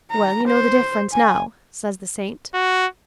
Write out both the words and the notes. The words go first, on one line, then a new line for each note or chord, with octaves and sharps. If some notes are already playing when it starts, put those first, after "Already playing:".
"Well, you know the difference now," says the saint.
A#5
C5
G#5
F#4